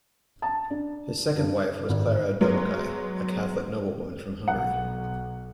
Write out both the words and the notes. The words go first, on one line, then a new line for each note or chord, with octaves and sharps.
His second wife was Clara Dobokai, a Catholic noblewoman from Hungary.
A5
D4
G2
G#1
F#3 G#3 B3
B1 F#5